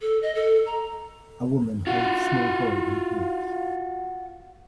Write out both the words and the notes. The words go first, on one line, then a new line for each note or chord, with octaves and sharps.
A woman holds small boy on a couch.
A4
D#5
A4
A#5
F4 F#4